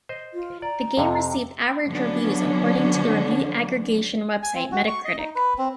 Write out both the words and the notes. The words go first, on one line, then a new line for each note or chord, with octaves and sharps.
The game received "average" reviews according to the review aggregation website Metacritic.
C5 D#5
F4
D5 A#5
F2 C3
D3 F3 F#3 B3 C#4 D4
G#5
C4
F#4
C#6
D#5
D#4
B4
C4